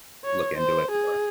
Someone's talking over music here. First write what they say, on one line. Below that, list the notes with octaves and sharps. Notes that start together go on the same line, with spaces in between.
look into it more.
C#5
C5
G#4